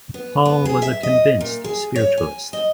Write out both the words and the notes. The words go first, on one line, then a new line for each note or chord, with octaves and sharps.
Hall was a convinced spiritualist.
B3
B3
G#4
E5
D#5
A#2
G#4
C#5
G#5
D#5